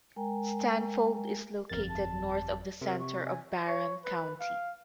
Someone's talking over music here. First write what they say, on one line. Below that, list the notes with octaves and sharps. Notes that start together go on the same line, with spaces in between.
Stanfold is located north of the center of Barron County.
G#3 A#4 G5 G#5 A#5
G1 F2 A#4 A6
A5
C3 A#4
C#6
G#5
C#5
B4
F5